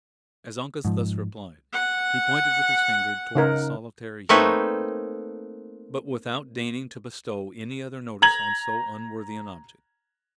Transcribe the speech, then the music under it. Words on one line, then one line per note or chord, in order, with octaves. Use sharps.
As Uncas thus replied, he pointed with his finger toward the solitary Huron, but without deigning to bestow any other notice on so unworthy an object.
G#2 F3
F#5
C#3 D#4 A#4
A3 A#3 C4 D#4 B4 C#5
A#5 G#6 F#7